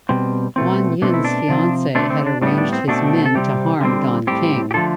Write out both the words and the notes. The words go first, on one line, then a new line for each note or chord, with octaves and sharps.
Wan-Yin's fiance had arranged his men to harm Dan Ping.
B2 G3 C4
B2 A3 C4
B2 A3 C4 D4
E4
D4
C3 F3 C4
D3 A3 C4 D4
C4
D4
A2 G3 B3 D4
D4
C4
B2 A3 C4 D4
A4
C3 G3 C4 G4
D3 G3 C4
A2 G3 C4 G4
G4
D3 F3 A3 A4